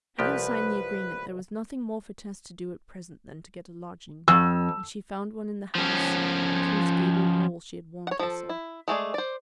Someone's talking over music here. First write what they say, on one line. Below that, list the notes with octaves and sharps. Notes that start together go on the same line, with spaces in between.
Having signed the agreement, there was nothing more for Tess to do at present than to get a lodging, and she found one in the house at whose gable-wall she had warmed herself.
C2 F3 G4 B4
F2 E6
F3 C#4
C#5 F#5
F3 A4
E4
G#3 A3 G#4 D5
C5 D5